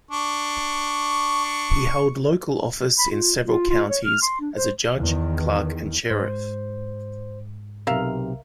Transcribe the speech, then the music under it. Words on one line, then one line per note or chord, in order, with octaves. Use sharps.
He held local office in several counties as a judge, clerk, and sheriff.
D4 C#6
B5
F4
F4
F4
C#5
F6
C6
D4
C5
E2 D#3
G#2 C5
B1 C3 A#4 E5 F5